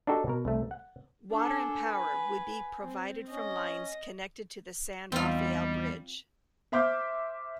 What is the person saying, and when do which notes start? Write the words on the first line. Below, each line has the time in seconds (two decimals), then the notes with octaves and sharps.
Water and power would be provided from lines connected to the San Rafael Bridge.
0.07 D4 D#4 F#4 G4 A4
0.27 B2 A#4
0.45 C2 A3
0.71 F#5
1.33 D4 A4 G#5
1.88 B4
2.81 C4
3.31 C#4 D#5
5.12 E2 G3 C4 D#4 F4
6.72 C5 E5 C6 D6 F6 G6